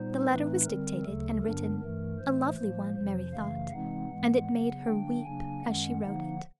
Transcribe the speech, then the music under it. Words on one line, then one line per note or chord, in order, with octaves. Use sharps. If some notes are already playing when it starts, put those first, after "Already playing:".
The letter was dictated and written--a lovely one, Mary thought--and it made her weep as she wrote it.
Already playing: A#2 G3 B3 D#4 C5
A2 E3 A3 C4 D#4 B4
D3 G3 C4 A#4
D2 C#3 F#3 A3 A4
G2 D3 F#3 B3 D4 A#4
G2 E3 A3 A#4
A2 E3 A3 C5
A2 F3 A#3 C5
F2 C3 F3 C5
F#2 C#3 E3 A3 F5
C3 E3 G#3 C4 D#4 F#5
G#2 E3 G#3 B3
C#3 F#3 B3
D3 F#3 A#3 D4 G5
C#3 F#3 A#3 D4 G#5
F#2 D#3 G#3 C#4 F#5
D3 F3 A#3 D#4 F#5